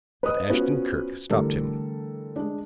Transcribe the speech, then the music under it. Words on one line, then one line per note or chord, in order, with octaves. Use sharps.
But Ashton-Kirk stopped him.
B4 D#5 D#6 F#6
B3 C#4 F4 F#4 B4 C5
D3 E3 G3 A3 A4 A#4
G#3 D4